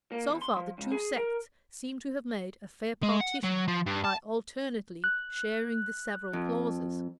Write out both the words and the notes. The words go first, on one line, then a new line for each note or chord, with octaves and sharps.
So far the two sects seem to have made a fair partition by alternately sharing the several clauses.
A#3
E2
C6
F3
C#2
G#4
A#4
G#3
F#5
F#3
F3
G2
A5
F#6
F2